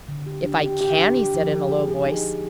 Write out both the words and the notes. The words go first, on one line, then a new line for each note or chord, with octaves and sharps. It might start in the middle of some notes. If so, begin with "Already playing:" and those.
"If I CAN!" he said, in a low voice.
D3
G4
D4
G4
G4
D4
G4
F3
G4
G#4
G#4
D#4
D#4